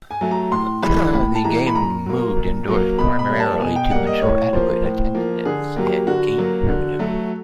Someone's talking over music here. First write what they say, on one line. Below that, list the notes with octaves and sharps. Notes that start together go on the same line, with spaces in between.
The game was moved indoors primarily to ensure adequate attendance and gate revenue.
G#5
F#3 A3
A#5
A2 C6
E3 G#3 B5
A2 B5
A5
E3 G#3 A#5
B5
A#2 A#5
F#3 A#3
A#2
F#3 A#3
B2 B5
B5
G3 A#3
A5
B2 G#5
G5
G3 A#3 F#5
D#5
A2 C#5
F3 A#3 C5
A2
F3 A#3
D3 G#4
F#3 A#3 G4
D3 F#4
F#3 A#3
D3
F#3 A3